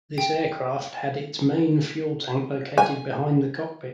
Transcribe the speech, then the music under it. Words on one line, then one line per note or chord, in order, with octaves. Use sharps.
This aircraft had its main fuel tank located behind the cockpit.
G5
G#5